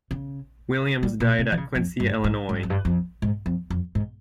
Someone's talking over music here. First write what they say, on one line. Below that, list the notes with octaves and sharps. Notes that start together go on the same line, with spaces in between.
Williams died at Quincy, Illinois.
C#3
G3
A#2
C3
E3
C#3
F2
G2
G#2
G#2
G2
F2
G2
F2
G#2
F2
F2
G#2